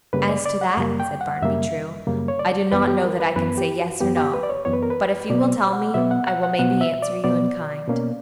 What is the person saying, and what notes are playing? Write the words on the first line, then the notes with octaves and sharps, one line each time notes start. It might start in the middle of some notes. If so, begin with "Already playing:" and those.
"As to that," said Barnaby True, "I do not know that I can say yes or no, but if you will tell me, I will maybe answer you in kind."
F#2 C#3 G3 A#3 B4
D5
D5
F#5
F#2 C#3 G3 A#3
G5
F#5
F#2 C#3 G3 A#3 E5
F#2 C#3 G3 A#3
C#5
D5
F#2 E3 B3 B4
G4
A#4
B4
F#2 E3 B3 B4
G4
F#4
F#2 E3 B3 G4
G4
B4
D5
C#5
F#2 E3 B3 C#5
B4
A#4
B4
B2 F#3 B3 D5
F#5
B2 F#3 B3 E5
F#5
F#5
F#5
B2 F#3 B3 F#5
E5
D5
B2 F#3 B3 D5
B2 A#3 C#4